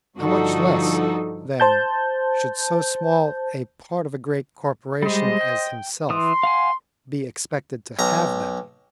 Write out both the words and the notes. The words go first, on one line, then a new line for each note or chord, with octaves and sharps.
How much less, then, should so small a part of a great corporation as himself be expected to have them?
G2 D3 F3 D#4 F#4 A4
C5 A5 G6
G3 G#3 C5 D#5
G5
E3 C6 D#6
F5 F#5 G#5
B1 A#5